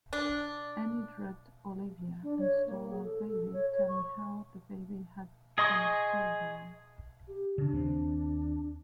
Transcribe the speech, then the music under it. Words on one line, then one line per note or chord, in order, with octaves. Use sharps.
Annie drugged Olivia and stole her baby, telling her the baby had been stillborn.
D4
D4
C#5
A#3
G#4
A4
A4
C#5
C#5
C#6
G#4 D#5 C6 C#6 D#6
G4
C#3 D4
D#2 B3 C4